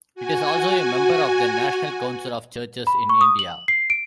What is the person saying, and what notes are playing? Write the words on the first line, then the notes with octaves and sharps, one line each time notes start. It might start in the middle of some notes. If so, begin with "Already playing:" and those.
It is also a member of the National Council of Churches in India.
F#4 G#5
B5
C#6
D#6
F#7
C7
D7